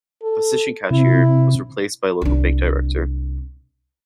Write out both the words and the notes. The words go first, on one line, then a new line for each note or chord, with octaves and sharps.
The position cashier was replaced by a local bank director.
A4
C3 E4
C2 D4